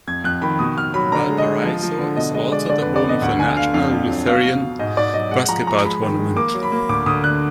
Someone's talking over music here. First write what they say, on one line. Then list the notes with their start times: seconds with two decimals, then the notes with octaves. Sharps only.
Valparaiso is also the home of the National Lutheran Basketball Tournament.
0.07 F2 G#6
0.24 F2 F#6
0.42 D#3 B5
0.59 B2 D#6
0.78 B2 F6
0.94 F#3 B5
1.12 D3 A#5
1.30 G#3
1.38 D#5
1.47 G#3
1.64 F3
1.82 F3
1.99 D3
2.16 B2 D#5
2.34 G#3 D#5
2.51 G#3 D5
2.69 D3 D5
2.82 F2 B4
2.96 D5
3.04 B3 D#5
3.22 D2 F#5
3.39 D3 G#5
3.57 D3 F5
3.74 F2 F5
3.91 F2
4.09 F#3
4.27 B2 F5
4.45 B2
4.62 B2
4.79 G#2 D#5
4.97 G#2 D5
5.14 F#3 D#5
5.31 G#3 F#5
5.49 F3 A#5
5.66 F3 A#5
5.84 G#3 B5
6.02 D#3
6.19 G#3
6.36 A#3 D6
6.54 F#3
6.63 B5
6.72 A#3
6.89 D2 D6
7.06 D2 D#6
7.24 D3 F#6